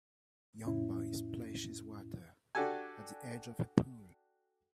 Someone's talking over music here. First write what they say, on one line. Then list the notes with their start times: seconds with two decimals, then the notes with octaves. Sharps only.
Young boy splashes water at the edge of a pool.
0.65 F2 A2 C#4 E4
2.55 D4 F#4 G4 A4 G#5